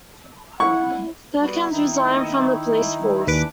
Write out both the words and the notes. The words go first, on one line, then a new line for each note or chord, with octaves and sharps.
Perkins resigned from the police force.
E4 F#5 C#6
G3 B3 F#4
D#3 D#4 E4
D#2 E3 D4 B4 D6